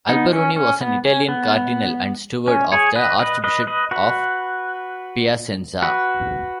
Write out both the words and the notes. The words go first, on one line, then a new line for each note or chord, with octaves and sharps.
Alberoni was an Italian cardinal and steward of the archbishop of Piacenza.
B3 D#4
C#4
C#4
B3
C#4
B3
C#4
G#4 C#5
B4 D#5
B4 D#5
B4 D#5
B4 D#5
F#4 B4
F#4 B4